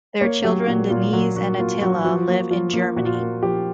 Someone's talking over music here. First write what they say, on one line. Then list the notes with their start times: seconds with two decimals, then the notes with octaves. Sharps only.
Their children Deniz and Atilla live in Germany.
0.21 A#3 C#5
0.44 F#3 G4
0.67 A#2 F#4
0.90 A#2 F4
1.13 F#3 F#4
1.36 F#3 F#4
1.59 A#3 F4
1.81 F#3 F#4
2.05 F3 F#4
2.28 A#3
2.51 F3 F4
2.73 A#3
2.96 A#2 F#4
3.05 F4
3.14 F#4
3.20 A#3
3.43 F3 G4